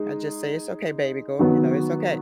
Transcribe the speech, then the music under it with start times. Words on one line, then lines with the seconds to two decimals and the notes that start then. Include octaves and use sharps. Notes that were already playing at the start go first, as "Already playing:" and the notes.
I just say, "it's okay, baby, go you know, it's okay.
Already playing: G#3 D#4
1.39 D#3 F#3 B3